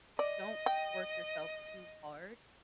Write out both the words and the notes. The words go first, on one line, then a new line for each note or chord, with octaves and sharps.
don't work yourself too hard
D5 D#5
G5